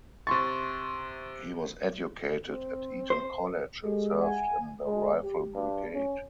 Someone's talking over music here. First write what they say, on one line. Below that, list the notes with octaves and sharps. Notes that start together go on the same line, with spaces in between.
He was educated at Eton College and served in the Rifle Brigade.
C3 C6 C#6 A6
C4
C5
G#3 G4 A4
E5 F#5 G#5
G#3
G4
G2
C#4